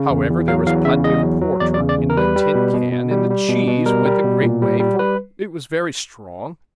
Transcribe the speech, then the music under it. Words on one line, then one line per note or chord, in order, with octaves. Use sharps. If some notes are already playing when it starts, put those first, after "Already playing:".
However, there was plenty of porter in a tin can; and the cheese went a great way, for it was very strong.
Already playing: C#3
E2
E2
F#3 F5
E2 F5
C#3 E5
E2 D#5
F#3
F#3
E2 D5
D5
C#3
D5
E2
A#4
G3 B4
G3
B2
B2
B2
G3
G3
B2
B2
G3 A#4
G3
B2
A#2
G3
G3
G3 B4